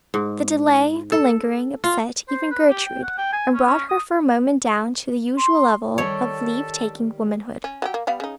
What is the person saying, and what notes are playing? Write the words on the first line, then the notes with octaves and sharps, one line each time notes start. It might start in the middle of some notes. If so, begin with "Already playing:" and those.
The delay, the lingering, upset even Gertrude, and brought her for a moment down to the usual level of leave-taking womanhood.
G#2
A4
F4
C5
B4
G4
G5
F#5
G5
G#5
C#4
C#4
D#6
C6
D#3 G3 A4 C#5
C#4
F#3 F#4 G4
A#3
G3 B3 F5
C#3 D#4